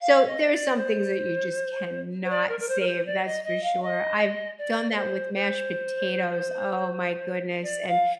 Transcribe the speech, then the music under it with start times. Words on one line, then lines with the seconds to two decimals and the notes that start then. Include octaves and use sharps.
So, there are some things that you just cannot save, that's for sure, I've done that with mashed potatoes, oh my goodness, and
0.01 F5
0.26 D#5
0.52 D5
0.77 C5
2.24 C5
2.30 D5
2.49 A#4
2.60 A#4
2.68 C5
2.80 A#4
2.87 C5
3.06 D5
3.25 D#5
3.44 D#5
3.63 F5
3.82 D#5
4.58 D5
4.91 D5
4.96 C5
5.35 C5
7.63 D5
7.88 F5